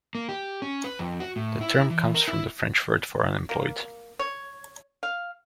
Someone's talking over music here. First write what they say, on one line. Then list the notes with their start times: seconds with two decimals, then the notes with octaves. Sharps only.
The term comes from the French word for "unemployed".
0.15 A#3
0.29 G4
0.62 C#4
0.84 B4
0.99 F2
1.20 F#4
1.36 A2
1.61 E4
1.90 E3
2.14 A#4
2.28 E4
3.49 A#3
4.19 C#5
5.03 F5